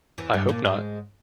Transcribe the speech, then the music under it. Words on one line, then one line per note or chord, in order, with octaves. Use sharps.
I hope not.
E2 E3
G2 G3
A#2 A#3
G#2 G#3